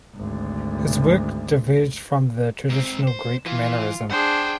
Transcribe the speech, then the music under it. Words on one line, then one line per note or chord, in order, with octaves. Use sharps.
His work diverged from the traditional Greek mannerism.
G#1 D2
G#2 C4
C5
E3 F4
D4 G#4 C5 F#5 G5